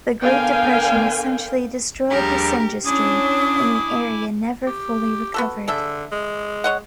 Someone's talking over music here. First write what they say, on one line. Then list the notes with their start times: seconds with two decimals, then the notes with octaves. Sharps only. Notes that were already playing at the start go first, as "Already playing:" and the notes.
The Great Depression essentially destroyed this industry and the area never fully recovered.
0.22 D3 B3 A#4 F5 G5 G#5
2.10 D#2 F3 G3 D4 G4 G#4 A#4 A#5
2.85 C#4 D4 E4 G#5 D6 D#6
4.67 G4
5.34 B3 F#4 A4
5.68 D3 G#4 A4 E5
6.12 G#3
6.64 C#5 D#5 F#5